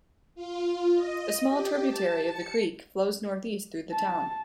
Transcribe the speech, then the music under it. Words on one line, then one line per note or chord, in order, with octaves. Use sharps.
A small tributary of the creek flows northeast through the town.
F4
D#5
G4
A5
C#7
A5